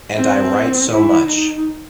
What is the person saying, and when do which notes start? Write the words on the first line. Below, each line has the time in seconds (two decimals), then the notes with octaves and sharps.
And I write so much.
0.16 C4
0.90 E4
1.27 D#4